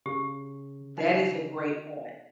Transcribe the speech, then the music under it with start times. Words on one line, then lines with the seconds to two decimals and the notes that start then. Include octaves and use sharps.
That is a great point.
0.06 C#3 G4
0.98 D#4 D#5